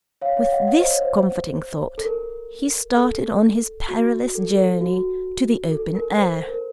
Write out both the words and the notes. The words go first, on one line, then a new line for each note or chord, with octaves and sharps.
With this comforting thought, he started on his perilous journey to the open air.
C#5 F5
C#5 F5
D#5 F#5
D#5 F#5
C5 D#5
C#5
C5
C5
A4
A#4
A4
F#4
A4
A4
F#4
A4
A#4
C5
A#4